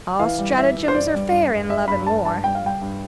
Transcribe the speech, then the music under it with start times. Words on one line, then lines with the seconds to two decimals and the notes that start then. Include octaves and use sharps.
"All stratagems are fair in love and war."
0.20 E3 F5
0.39 G3
0.58 E3 E5
0.77 E3
0.88 C5
0.94 G2 D5
1.14 G3
1.32 G2
1.51 G2
1.69 G2 E5
1.88 G2 B5
2.07 G2 A5
2.25 G2 A5
2.44 G3 G5
2.55 F5
2.62 G3 G5
2.81 G2